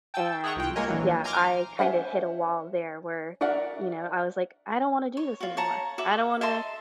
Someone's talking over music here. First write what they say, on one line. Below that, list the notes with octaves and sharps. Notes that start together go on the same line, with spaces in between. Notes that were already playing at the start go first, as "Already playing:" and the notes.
and, yeah, I kinda hit a wall there where, you know, I was like, "I don't wanna do this anymore. I don't wanna
G5 A5 E6
G#4 E5 F#5 G5 A#5 C#6
C2 F4 G5
G#3 A#3 A#4 C#5 D#5 G#5
A#1 E3 F#3
G#5 A#5 C6 D6 F6 G6
C#4 D4 C5 E5 F#5
F#4 A#4 D5 E5 F#5
C#5
F4 F#4
C#5 F#5 A5 A#5
F#4 E5 D6
D#5 E5 A5 C6